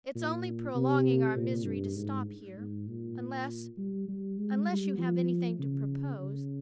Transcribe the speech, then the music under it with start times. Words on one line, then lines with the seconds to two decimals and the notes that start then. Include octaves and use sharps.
"It's only prolonging our misery to stop here, unless--unless you have anything to propose?"
0.15 A#2
0.75 C3
1.36 A#2
1.66 G2
1.96 G#2
2.57 G#2
2.87 A#2
3.77 G3
4.08 G3
4.38 G#3
4.68 G3
4.98 F3
5.59 C#3
6.19 C#3